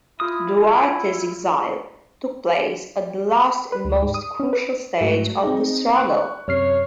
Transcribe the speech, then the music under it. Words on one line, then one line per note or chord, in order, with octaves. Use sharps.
Duarte's exile took place at the last and most crucial stage of the struggle.
E4 F4 D#6 F6
B4
D2
G#2
D#6
C#4
B4
G#2 F#3 A3
C4 D#4 G#4
C#6 F#6
F#2 C3 C#5 F6 C7